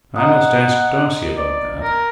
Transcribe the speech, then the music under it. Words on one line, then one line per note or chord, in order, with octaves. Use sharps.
I must ask Darcy about that.
D#5 F#5 A#5 D#6
D5
A#4